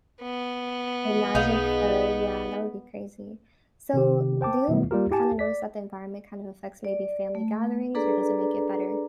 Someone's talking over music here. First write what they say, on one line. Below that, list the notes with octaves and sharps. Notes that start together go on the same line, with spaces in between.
imagine fur, yeah, that would be crazy. So, do you kind of notice that the environment kind of affects maybe family gatherings or does it make it better?
B3
B1 D#4 G#4 F5
C3 D#3 G4
C5 G5 A5 D6
B2 D#3 F#3 G3 A3 B3
G3 A#3 F4 G4 A#4
E4 G4 G#5 A5
D5 B6
D5
A3
D4 G#4 A4 B4 D5 A#5